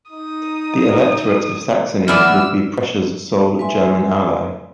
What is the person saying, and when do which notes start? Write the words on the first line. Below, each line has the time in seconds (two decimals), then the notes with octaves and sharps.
The electorate of Saxony would be Prussia's sole German ally.
0.11 D#4 D#6
2.08 E3 B3 D5 F#5 E6 F6
3.59 B4 E5 G#5 C6